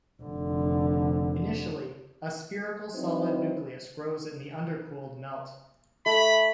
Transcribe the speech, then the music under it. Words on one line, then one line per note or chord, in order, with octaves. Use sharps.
Initially, a spherical solid nucleus grows in the undercooled melt.
F1 D3
F#3 C4 D#4 E4 B4 C5
A3 B5